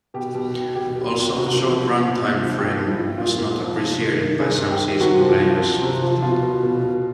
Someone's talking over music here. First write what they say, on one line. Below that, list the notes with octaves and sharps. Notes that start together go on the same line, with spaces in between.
Also the short run time frame was not appreciated by some seasoned players.
B2 G4
B2
B2
B2 G4
B2
F4
B2
C3 F#4
F3
F3
C3
C3
F3
A#2 G4
F3
E4
F3
A#2 F4
A#2
F3
C3
D#3
D#3
C3 G#4
C3
G4
D#3
C3 F#4
F3
F3
C3
C3
F3
B2 F4
B2
B2
B2